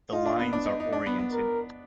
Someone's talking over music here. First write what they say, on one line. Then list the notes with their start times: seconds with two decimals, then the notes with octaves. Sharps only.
The lines are oriented.
0.12 D#4 F4
0.26 D4
0.39 B3
0.53 D4
0.65 D#4
0.80 D#4
0.93 D4
1.06 B3
1.19 B3
1.33 A#4